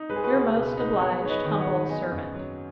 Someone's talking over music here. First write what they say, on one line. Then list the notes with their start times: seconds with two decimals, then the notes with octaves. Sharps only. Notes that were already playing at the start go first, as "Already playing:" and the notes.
'Your most obliged humble servant.'
Already playing: D#4
0.10 G#3 B4
0.16 G#4
0.24 F#4 B4
0.32 C#2
0.55 B2
0.77 D#4
0.99 B3 G#4 C#5
1.22 G#2 C#5
1.29 B4 D#5
1.45 D#3
1.51 D#5
1.60 C#5 F#5
1.67 G#2
1.89 B3 D#5 G#5
2.12 F#2
2.34 F#3